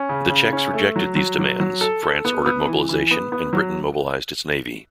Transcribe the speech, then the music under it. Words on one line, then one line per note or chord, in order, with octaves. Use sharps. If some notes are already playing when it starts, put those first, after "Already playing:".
The Czechs rejected these demands, France ordered mobilization and Britain mobilized its Navy.
Already playing: C#4
C#3
C#3
C#4
A3
F#3
F#3
F#3
F#3
A4
A4
B3
B3
E3
E3
B3
B3
F#3